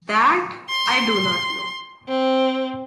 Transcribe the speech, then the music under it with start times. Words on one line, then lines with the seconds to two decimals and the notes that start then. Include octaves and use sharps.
That I do not know.
0.69 C6
2.08 C4